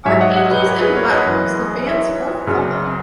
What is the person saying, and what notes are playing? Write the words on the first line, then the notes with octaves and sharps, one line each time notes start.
"Archangels in Black" was the band's fourth album.
G#2 F#3 C#5 E5
D#5 F#5
D#5 F#5
B4 D#5
A#4 C#5
G#4 B4
A#4 C#5
B4 D#5
F#2 E3
C#5 E5
F#2 C#3 F#3